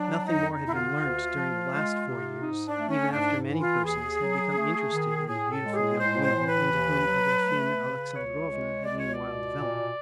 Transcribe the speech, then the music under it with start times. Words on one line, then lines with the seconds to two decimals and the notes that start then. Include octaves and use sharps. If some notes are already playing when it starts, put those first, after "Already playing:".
Nothing more had been learnt during the last four years, even after many persons had become interested in the beautiful young woman into whom Agrafena Alexandrovna had meanwhile developed.
Already playing: F#3 D4
0.26 F2 D#4
0.51 D#4
0.63 D3 E4
0.74 F4
0.98 D2
1.34 F3
1.70 G#3
2.06 C3
2.41 G#2 D#4
2.66 D4
2.78 A3
2.89 C#4
3.12 G#2 D4
3.49 E3
3.60 F4
3.85 D#2 G#4
4.20 F#3
4.56 A3
4.92 D#3
5.27 A2 G#4
5.52 A4
5.63 G#3
5.71 G4
5.75 G#4
5.99 A2 C5
6.23 C5
6.35 E3
6.47 B4
6.70 D#2
7.07 F#3
7.42 A3
7.77 C#3
8.13 C#2 C#5
8.49 G#3
8.85 C#2 D5
8.99 C#5
9.12 D5
9.20 B2
9.57 A#2